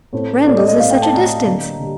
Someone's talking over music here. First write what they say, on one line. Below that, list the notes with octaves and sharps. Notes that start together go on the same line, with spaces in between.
Randalls is such a distance.
A2 A3 C4
A2 A3 C4 D5
D#5
D#5
A2 A3 C4 F5
G5
A5
A2 A3 C4 A#5
D3 G3 A#3
D3 G3